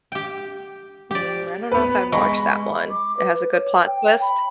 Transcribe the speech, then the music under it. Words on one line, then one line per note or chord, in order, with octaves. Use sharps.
Hmm, I don't know if I've watched that one. It has a good plot twist?
G4 G5
G4 D5
B3 B4
G#3 B5 C#6
D6
B4
C#5
G5
B5